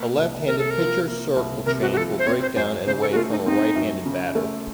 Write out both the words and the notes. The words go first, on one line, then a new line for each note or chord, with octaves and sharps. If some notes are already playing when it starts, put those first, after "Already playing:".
A left-handed pitcher's circle change will break down and away from a right-handed batter.
Already playing: A#3
C2
C3 A#4
A4
A#4
F3
A#3
C2
C3 A#4
F#4
F#4
F3 A4
C5
C4 C#5
C5
F#2 C5
C#3 C5
A4
F#4
A3 F4
D#4
C4 D#4
F#2
C#3
A3